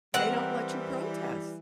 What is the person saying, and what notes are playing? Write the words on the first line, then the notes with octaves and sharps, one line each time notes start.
They don't let you protest.
E3 G3 C4 A#4 F#5